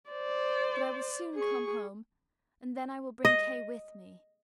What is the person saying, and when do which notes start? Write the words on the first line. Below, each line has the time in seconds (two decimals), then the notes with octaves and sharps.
But I will soon come home, and then I will bring Kay with me.
0.10 C5 D5
1.35 G#4 C#6
3.25 D#5